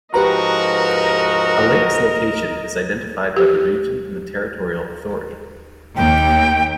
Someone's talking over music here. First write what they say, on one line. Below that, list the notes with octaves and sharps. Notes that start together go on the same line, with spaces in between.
A lake's location is identified by the region and the territorial authority.
G#2 F3 F#4 G4 A#4 B4 D#5 A#5
G4
D#2 G5